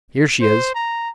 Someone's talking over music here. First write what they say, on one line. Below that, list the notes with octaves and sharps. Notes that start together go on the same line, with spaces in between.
Here she is.
C5
A#5